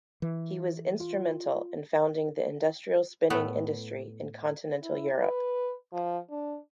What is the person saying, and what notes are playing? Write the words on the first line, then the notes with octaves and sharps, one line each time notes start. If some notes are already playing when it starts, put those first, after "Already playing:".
He was instrumental in founding the industrial spinning industry in continental Europe.
E3
F4
A2 A3 B3
E4
B4
F3
D4